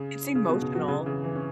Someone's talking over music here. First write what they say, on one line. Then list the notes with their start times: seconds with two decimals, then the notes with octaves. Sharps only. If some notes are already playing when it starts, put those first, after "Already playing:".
It's emotional.
Already playing: C#3
0.35 C#3
0.49 B2
0.62 C#3
0.75 F#3
0.88 C#3
0.98 E3
1.06 C#3
1.24 E3
1.36 C#4